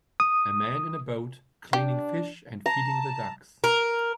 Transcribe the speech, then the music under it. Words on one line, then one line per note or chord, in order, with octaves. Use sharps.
A man in a boat cleaning fish and feeding the ducks.
D#6
D4 G4
A5 A#5
A#4